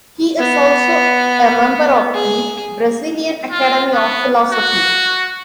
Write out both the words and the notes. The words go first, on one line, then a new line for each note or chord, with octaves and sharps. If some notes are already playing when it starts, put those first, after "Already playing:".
He is also a member of the Brazilian Academy of Philosophy.
B3
G#4
F4
B3
F#4